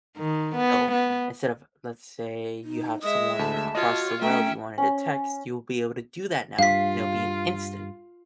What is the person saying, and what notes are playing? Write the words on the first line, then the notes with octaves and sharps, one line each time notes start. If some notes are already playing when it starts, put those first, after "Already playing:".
So, instead of, let's say you have someone across the world you wanted to text, you'll be able to do that now and it'll be instant.
D#3
B3
B3
D#4
G#3 D#5 E5 D#6
D2 A4 A5
F4 F#4 C#5 D#5
A3 C#4 E5 G5 A#5
C#4
G2 F4 F5 B6